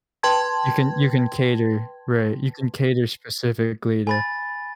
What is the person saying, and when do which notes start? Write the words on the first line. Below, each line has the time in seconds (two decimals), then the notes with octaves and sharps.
You can you can cater, right? You can cater specifically to
0.23 B4 G5 A5 C6 G#6
4.07 G#5 B5 A6